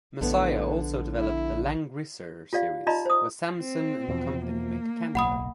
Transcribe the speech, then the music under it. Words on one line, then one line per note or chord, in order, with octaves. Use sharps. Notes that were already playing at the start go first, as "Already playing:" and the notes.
Masaya also developed the "Langrisser" series, where Samson and company make a cameo.
A#1 A2 D3 B3
E4
F4 G4 D5 F5
D#4 F4 D5 D#5 A#5 B5
C5 D#6
C4
E2 B2 F3
A#3
D1 B1 F#5 B5 D#6